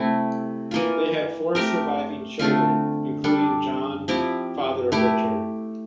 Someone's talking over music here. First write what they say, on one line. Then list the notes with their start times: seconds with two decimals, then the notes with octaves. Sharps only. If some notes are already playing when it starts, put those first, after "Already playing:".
They had four surviving children, including John, father of Richard.
Already playing: C3 A3 C4 E4
0.71 E3 A#3 F4
1.55 A3 C4 G4 A#4
2.39 D3 A3 C4 F4
3.24 G3 D4 A4
4.08 F3 C4 E4 G4
4.92 A3 E4 G4